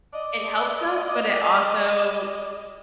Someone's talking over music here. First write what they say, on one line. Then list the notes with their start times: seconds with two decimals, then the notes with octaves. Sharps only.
it helps us, but it also
0.14 D5 D#5